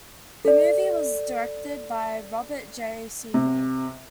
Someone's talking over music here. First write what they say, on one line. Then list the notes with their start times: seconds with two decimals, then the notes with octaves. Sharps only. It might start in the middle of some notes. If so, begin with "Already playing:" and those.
The movie was directed by Robert J. Siegel.
0.45 A4 D5
3.34 C3